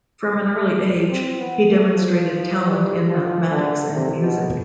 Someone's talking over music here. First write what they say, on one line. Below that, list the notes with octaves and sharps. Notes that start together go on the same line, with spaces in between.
From an early age, he demonstrated talent in mathematics and music.
A3
C4
B3
A3
F3
F3
G3
F3
D3
C3
B2